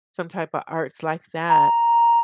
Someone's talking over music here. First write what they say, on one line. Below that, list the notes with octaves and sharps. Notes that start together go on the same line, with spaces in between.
some type of arts like that.
A#5